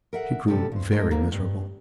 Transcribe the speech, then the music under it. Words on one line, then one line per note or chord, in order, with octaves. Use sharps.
She grew very miserable.
A#4 E5 F#5
A2 C3 F3 G3 A4
G2 C5
G#3 A3 A#4 C#5 D#5
D2 A#3
G2